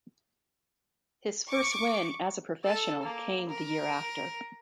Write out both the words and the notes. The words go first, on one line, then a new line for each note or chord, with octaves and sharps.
His first win as a professional came the year after.
C#6 D6
A4
A#3
A#4